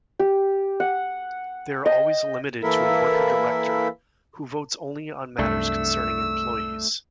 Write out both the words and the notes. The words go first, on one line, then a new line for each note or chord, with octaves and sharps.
They are always limited to a Worker-Director, who votes only on matters concerning employees.
G4
F#5
D#5 G5
E3 A#3 E4 A4 A#4 E5
C2 F#2 A3 D4 E6